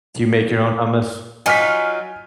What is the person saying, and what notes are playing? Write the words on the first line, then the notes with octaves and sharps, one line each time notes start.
Do you make your own hummus?
F#3 D#4 F4 G#5 F6 B6